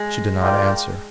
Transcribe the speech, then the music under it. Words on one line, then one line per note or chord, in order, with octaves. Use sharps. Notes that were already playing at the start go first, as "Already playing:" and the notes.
She did not answer.
Already playing: G#3
F4 A#4 D5 G5